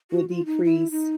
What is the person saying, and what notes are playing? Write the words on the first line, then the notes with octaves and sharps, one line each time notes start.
would decrease.
F#4
F4
D#4
E4
D#4